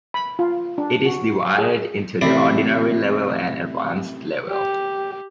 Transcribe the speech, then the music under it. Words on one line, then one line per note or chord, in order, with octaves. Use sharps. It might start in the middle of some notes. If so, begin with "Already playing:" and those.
It is divided into the Ordinary level and Advanced level.
B5
F4
D4
F#4
G#4
A1 C3 E4 D5 D#6
G4